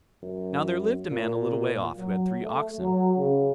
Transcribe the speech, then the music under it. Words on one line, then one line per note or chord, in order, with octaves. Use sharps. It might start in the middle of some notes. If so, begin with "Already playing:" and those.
Now there lived a man a little way off who had three oxen.
F#2
A#2
F#3
A3
F#3
C#3